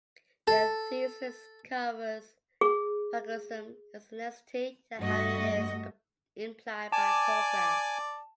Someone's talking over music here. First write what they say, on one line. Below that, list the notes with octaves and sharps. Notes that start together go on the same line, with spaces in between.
The thesis covers plagiarism as a necessity and how it is implied by progress.
A4 A5
G#4
G2 A3 F#4 D#5
D5 G#5 A5 D6